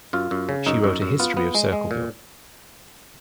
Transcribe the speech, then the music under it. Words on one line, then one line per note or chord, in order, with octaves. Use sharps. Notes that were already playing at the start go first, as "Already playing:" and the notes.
She wrote a history of Circleville.
F#2 F4
F#2
C#3
F#2 D#4
F#2
F#2
B3 F4
B3
G#3
G#3
A#2